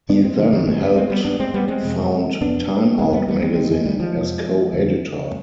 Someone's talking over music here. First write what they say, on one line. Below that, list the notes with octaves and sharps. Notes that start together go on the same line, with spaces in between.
He then helped found "Time Out" magazine, as co-editor.
G2 D3 B3 D4
G#3 C4
D3 F3
D#3 G3
G2 D3 F3 G#3
G3 B3
G#3 C4
G3 B3
G#2 B3 D4
G#3 C4
G3 B3
G#3 C4
F2 C3
F2 C3 B3 D4
F2 C3 G#3 C4
G3 B3
G3 B3
G#3 C4
F2 D3 G#3 C4
F3 G#3
D#3 G3
F3 G#3
F2 C3
F2 D3